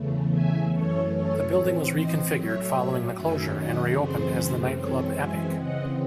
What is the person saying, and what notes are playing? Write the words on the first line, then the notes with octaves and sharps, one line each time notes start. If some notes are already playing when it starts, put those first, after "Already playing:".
The building was reconfigured following the closure and reopened as the nightclub Epic.
Already playing: E2 C#3 E3 A3
E5 G#5
F#2 E3 A3 C#4 A4 C#5
A4 C#5
A2 E3 C4
C5 D#5
A2 F#3 A3 C#5 E5
F#2 D#3 F#3 A3 C#4 E5 G#5
D#5 F#5
F#2 C#3 E3 A3 C4 G#4 C5
F#2 E3 G#3 C4 A4 C#5
E5 G#5
C#3 E3 C4 D#5 F#5